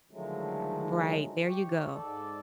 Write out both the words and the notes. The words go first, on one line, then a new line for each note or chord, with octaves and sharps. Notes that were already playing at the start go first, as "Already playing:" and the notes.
Right, there you go.
D3 D#3 F3 F#3 G#3 A3
G4 C#5
G#2 A4 D5